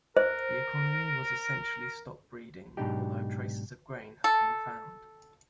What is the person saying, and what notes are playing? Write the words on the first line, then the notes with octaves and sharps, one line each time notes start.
The economy was essentially stock-breeding, although traces of grain have been found.
A#4 C5
G#2 B2 F#3 D4 D#4 G4
A4